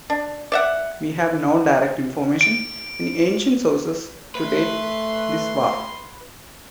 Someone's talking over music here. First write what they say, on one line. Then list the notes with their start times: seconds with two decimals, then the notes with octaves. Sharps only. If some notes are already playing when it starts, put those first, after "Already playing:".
We have no direct information in ancient sources to date this war.
0.10 D4
0.52 D5 E5 F#5
2.41 D7
4.35 A3 B4 C6